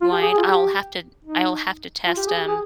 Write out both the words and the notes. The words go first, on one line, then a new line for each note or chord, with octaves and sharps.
wine. I'll have to I'll have to test 'em
F4
G4
G#4
G#4
F4
G4
D#4
F4
G4
G#4
G4
G#4